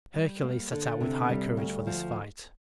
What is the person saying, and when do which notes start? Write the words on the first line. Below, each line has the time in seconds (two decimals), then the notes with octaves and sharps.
Hercules set out with high courage for this fight.
0.14 G3
0.43 A#3
0.72 D3
1.01 C3
1.30 G3
1.57 D2
1.87 F3